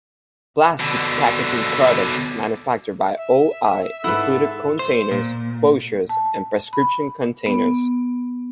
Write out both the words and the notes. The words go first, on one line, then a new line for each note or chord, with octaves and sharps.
Plastics packaging products manufactured by O-I included containers, closures, and prescription containers.
B2 D3
E5
G#2 E4 A4 B4 F#5
C5
A#2
A5
B5
B3